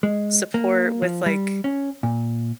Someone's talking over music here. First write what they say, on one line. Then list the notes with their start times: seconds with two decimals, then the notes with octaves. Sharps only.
support with, like
0.03 G#3
0.54 A#3
1.02 F3
1.26 G3
1.64 C#4
2.03 A#2